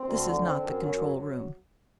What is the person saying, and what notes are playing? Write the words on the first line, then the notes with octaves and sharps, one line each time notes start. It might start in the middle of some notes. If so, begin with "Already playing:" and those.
"This is not the control room."
Already playing: C4
D2
D3
C4
F#2
F#3
F#3